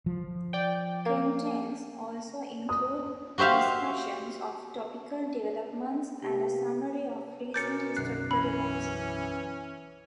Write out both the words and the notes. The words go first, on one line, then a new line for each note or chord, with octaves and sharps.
Contents also include discussions of topical developments and a summary of recent historical events.
F3
D5 G5
A#3
D#6
F#4 G4 C5 E5 F5
C3 A#3 B3 G4
B2 C#4 A#4 D6 G6 A6 C#7
B1 F#2 D3 F#6 C7
E3 C#4 B5